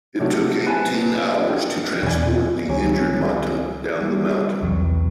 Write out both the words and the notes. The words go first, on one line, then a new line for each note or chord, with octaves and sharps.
It took eighteen hours to transport the injured Mata down the mountain.
C3 F#3 A3
B4 G#5 A5
G#4 G5
E2 B2 D5 G#5
C#2 D#3 G3 G4 C#5 G#5
G3 G4
B1 E2 C3 E3 F#3